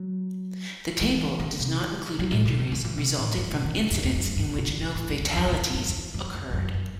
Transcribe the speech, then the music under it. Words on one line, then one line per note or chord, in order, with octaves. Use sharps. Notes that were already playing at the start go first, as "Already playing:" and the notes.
The table does not include injuries resulting from incidents in which no fatalities occurred.
Already playing: F#3
E3
D#3
C3
D#3
F#3
A2
B2
C3
D#3
E3
C3
A2
G2
B2
D#3
C3
F#2
E2
F#2
G2
B2
C3
D#3
C3
A2
G2
F#2
E2
F#2
G2
F#2
E2
F#2
E2
E2
F#2
F#2